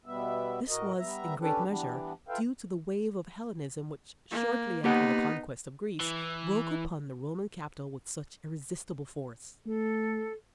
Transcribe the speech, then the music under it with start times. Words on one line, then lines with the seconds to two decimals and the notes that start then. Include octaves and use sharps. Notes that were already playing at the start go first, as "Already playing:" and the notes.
This was, in great measure, due to the wave of Hellenism which, shortly after the conquest of Greece, broke upon the Roman capital with such irresistible force.
0.06 B2 G3 B3 E5
0.68 A2 F#4 A#4 D#5
0.98 G3 B3 E5 A#5
1.40 C#4 D4 G4 A4 B4
1.66 E3 G3 B3 D4
2.28 F4 A4 B4 E5 F5 G5
4.31 A#3
4.84 A#3 B3 D#4 G4 F#5
6.00 E3
9.66 A3 A4